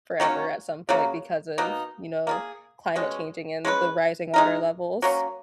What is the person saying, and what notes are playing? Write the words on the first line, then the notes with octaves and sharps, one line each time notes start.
forever at some point because of, you know, climate changing and the rising water levels.
D#3 F#3 A#3 C#4
C#3 F#3 A#3
B2 A#3 D#4
A#3 F4 G#4
B2 G#3 C#4
G#3 C#4 G#4 B4
G#3 D#4 A#4
F#3 A#3 C#4